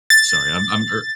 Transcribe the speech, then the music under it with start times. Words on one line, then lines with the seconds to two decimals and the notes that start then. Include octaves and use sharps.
Sorry, I'm I'm ear
0.10 A6